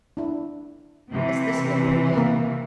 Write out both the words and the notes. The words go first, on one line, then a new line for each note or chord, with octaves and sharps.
"Is this Napoleon?"
D4 E4
C3 E3
A#3 A#4